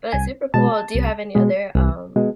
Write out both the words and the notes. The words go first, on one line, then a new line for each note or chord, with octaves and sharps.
but super cool. Do you have any other, um,
C2 G#5
B2 G#3 A5
C2
B2 G#3
C2
B2 G#3